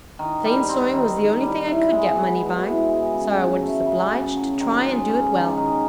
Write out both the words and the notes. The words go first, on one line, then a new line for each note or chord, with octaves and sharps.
"Plain sewing was the only thing I could get money by, so I was obliged to try and do it well."
D#3
G3
C4
D#3
D#3
G3
E4
G#3
B3
B2
E4
G#3
C#3
F#3
A3
C#3
C#3
F#3
D#3
G#3
C#4
D#3
D#3